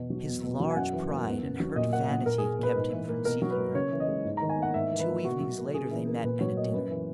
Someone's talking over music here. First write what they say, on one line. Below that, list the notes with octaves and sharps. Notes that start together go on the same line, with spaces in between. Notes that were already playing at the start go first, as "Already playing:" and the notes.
His large pride and hurt vanity kept him from seeking her. Two evenings later they met at a dinner.
Already playing: E2 B2 B3
F#3
E2
B2
F#3
G#5
F#2 F#5
E3
A#3
E2
C#3
F#3
A#2 D#5
A#3 F#5
A#2 F#5
A#2 A#4
G#4
A#3
A#2 B4
G#2
E3
A#3
B2 A#4
F#3
B4
A#3
C#3 C#5
E3
D#5
G#3
G#2
A#5
D#3
G#5
A#3 F#5
G#2 E5
E3
B4
A#3
B2 F#4
F#3
A#3
C#3 G#4
E3
A#3
A#2 B4
F#3 C#5
A#3 D#5
F#2 B4
E3